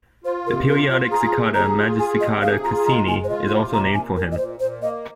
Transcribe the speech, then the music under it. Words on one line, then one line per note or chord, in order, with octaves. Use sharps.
The periodic cicada "Magicicada cassini "is also named for him.
F4 C5
C3 A#4
F4 A#4
F4 C5
G#4 A#5
C3
G#4 A#5
F4
G#4 G#5
C3 D#5
G#4 F5
F4 A#5
G#3 A#5
G#3 G#5
C5
F4 D#5
C3 C5
A#2 A#5
A#2 G#5
A#2 A#4
D#5
A#2 C5
A#2 C5
A#3 D#5